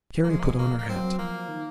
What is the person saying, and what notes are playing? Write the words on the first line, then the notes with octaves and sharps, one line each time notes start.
Carrie put on her hat.
A#3
F3 G#3
A#3
G#3
A#3
A#3
F#3 C4
F#3
F3 A#3
D#3